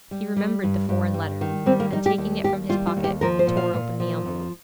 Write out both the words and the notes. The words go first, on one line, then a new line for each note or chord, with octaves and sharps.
He remembered the foreign letter, and taking it from his pocket, tore open the envelope.
G3
G3
G2
G2
G3
D#3
G3 C4
A#3
G3 D#4
G4
D#2
D#2 G4
G3 F4
F4
D#2
G4
F3 A#4
C5
A#2
F5
A#2
F3
F2